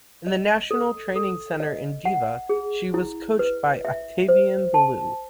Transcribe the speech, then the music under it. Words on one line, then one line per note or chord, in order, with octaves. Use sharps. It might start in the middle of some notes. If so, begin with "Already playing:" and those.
In the national training center in Deva, she was coached by Octavian Belu.
D#5
A4
A4
D#5
F#5
G#4
E4
B4
E5
C5
A5